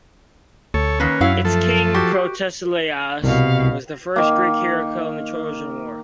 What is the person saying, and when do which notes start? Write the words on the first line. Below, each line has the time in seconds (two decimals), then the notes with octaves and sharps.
Its king, Protesilaus, was the first Greek hero killed in the Trojan War.
0.74 D2 A4 C#5
1.00 D#3 A#3 C#4 B4
1.21 F#2 F#3 E4 F5
1.45 F3 A3 A4
1.94 F#4 G4
3.23 C2 B2 F5
4.16 D#3 A#3